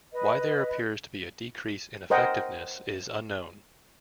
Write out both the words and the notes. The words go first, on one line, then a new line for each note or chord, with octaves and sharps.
Why there appears to be a decrease in effectiveness is unknown.
B4 D#5
A#4 C5 D#5 F#5 G5